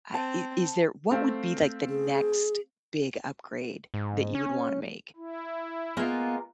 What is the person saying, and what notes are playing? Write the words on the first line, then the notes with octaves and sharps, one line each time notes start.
uh, i is there What would be, like, the next big upgrade that you would wanna make?
C4 A5
A3 C4 F5
G#4
G#2
C#4
E4
G#3 A#3 B3 F4 A#4